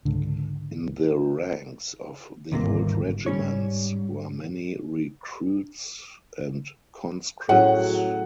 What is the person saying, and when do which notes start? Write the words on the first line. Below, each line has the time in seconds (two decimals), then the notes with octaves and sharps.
In the ranks of the old regiments were many recruits and conscripts.
0.05 C#2 G#2 D3
2.52 G1 D#2 G#2 C3 A#3
3.26 G#2 G3 C#4 C#5
7.49 A2 F#3 C#4 F#4 G#4 F#5